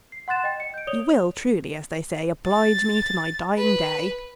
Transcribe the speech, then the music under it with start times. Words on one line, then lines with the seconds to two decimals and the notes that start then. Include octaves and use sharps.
You will truly, as they say, oblige me to my dying day.
0.12 C7
0.28 F#5 C6 F#6 A6 E7
0.44 D#5 G5
0.60 D#5 C#7
0.74 G6 D7
0.87 C#5 D5 D#6 F7 G7
2.47 A6
3.58 B4